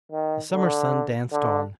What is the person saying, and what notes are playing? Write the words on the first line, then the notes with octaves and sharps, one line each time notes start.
The summer sun danced on.
D#3
D3
D3